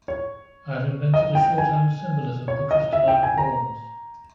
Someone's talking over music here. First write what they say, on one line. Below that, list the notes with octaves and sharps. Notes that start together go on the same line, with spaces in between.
I had invented a shorthand symbolism for crystalline forms.
C#5
D#5
G5
G#5
C#5
D#5
E5
G5
G#5
A#5